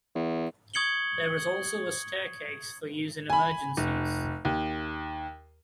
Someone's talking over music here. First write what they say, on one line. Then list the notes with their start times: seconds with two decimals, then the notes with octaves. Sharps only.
There is also a staircase for use in emergencies.
0.15 E2
0.74 C#6 D#6 G#6 C#7 F#7 G7
3.30 G#5 B5
3.77 F1
4.45 D#2